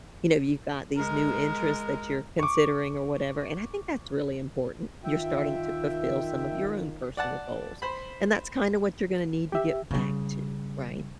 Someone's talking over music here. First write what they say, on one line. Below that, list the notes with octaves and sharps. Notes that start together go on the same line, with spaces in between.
you know, you've got these new interests that you're considering or whatever, and I think that's really important. You're starting to fulfill some of your own personal goals and that's kinda what you're gonna need to get back to, right?
G#3 A#4
C#6 D6
D#3 F4 E5 G5
D5 F#5 A5
C5 B5
G4 E5
C#3 G3